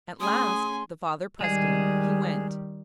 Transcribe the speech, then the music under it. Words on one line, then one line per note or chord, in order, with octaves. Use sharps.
At last--the father pressed him--he went.
A3 C#4 G#4 G#5 C6 D#6
D#3 G3 G#3 G#4